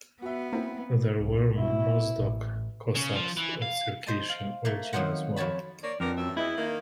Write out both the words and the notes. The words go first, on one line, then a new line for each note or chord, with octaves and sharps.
There were Mozdok Cossacks of Circassian origin as well.
B3 F#4 E5
A#3 C4 E4
C2 G2
B2 E4
A1
C#3
F3
E3
F5
C5 D#5 A5
F5
A3 A#3
F2 D#3 F3 F#3 C5 F#5
F2 F#4 C#5 A5 B5
A#3 C#5 D5
F2 D3 B3 A#4
F#2 E5
E2 E3 E4 D#5
D#3 A#3